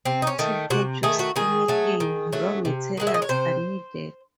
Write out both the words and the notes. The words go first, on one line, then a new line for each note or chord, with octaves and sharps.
To produce anything, raw materials are needed.
C3 C4
D#4
C#4
D#3 A3
C3 F#4
D#3 A3 G#4
F#4
D#3 G#4
F#3 A3
D#3
F#3 A3
C3
D#3 G#3 F#5
E5
D#5
C#5
C3 C5